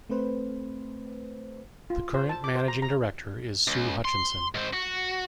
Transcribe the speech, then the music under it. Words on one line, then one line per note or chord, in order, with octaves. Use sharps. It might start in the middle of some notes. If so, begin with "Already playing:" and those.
The current Managing Director is Su Hutchinson.
A3 C4 B4 C5
F4
C5
A5
D6
C5
A#5
A#5
C#2
C6
G#2 C4
F#4